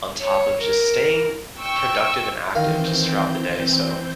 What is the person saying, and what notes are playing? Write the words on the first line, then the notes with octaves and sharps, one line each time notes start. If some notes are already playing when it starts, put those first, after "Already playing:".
on top of just staying, uh, productive and active just throughout the day, so,
C#5
A#4
G5 C#6 E6
D#3 E3 C4 F5 G6